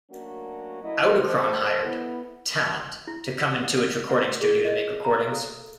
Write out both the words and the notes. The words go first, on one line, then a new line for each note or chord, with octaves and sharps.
Audichron hired "talent" to come into its recording studio to make recordings.
F#3 A3 A#3 C#4 D4 F#4
F#2 F#3 A3 E4 D#5
A4 C5
B3 E4
E4
F#5
F#5
G#4
D#5
A#5
F5
A4